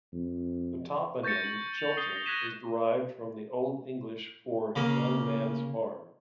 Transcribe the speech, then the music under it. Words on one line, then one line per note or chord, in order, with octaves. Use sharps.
The toponym "Chilton" is derived from the Old English for "young man's farm".
F2
C#6 G6 A6 A#6 C#7
F#7
F7
D#6 C7 C#7 G7
A#6 G7
F#6 G#6 A#6 B6 D#7 E7
C#3 A#3